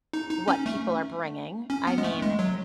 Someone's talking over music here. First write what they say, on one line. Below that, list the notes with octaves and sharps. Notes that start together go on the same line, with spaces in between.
what people are bringing. I mean,
D#4
D#4
C#4
A3
C#4
B3
G#3
A3
G#3
F#3